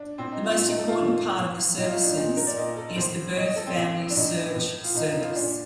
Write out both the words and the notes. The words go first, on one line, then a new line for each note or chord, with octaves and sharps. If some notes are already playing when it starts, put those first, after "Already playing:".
The most important part of the services is the Birth Family Search service.
Already playing: D4
A2 C4
D#4
F4
A#2
D#4
A4
F4
A#2
A2
A2 D#4
F4
D#4
D4
A#2 D#4
A#4
D5
A#2 D#5
A4
A2 C5
A2 D#5
D#5
A4
C4
A2
D4
A2 D#4
A2
F4
A2 D#4
D#4
F4
A#2 D4